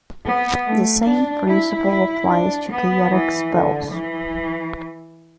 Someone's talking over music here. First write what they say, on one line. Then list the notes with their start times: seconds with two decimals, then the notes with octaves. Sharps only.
The same principle applies to chaotic spells.
0.25 B3
0.67 A3
1.06 D4
1.47 E4
1.89 E4
2.30 D4
2.70 B3
3.11 E3
3.52 D3
3.93 E3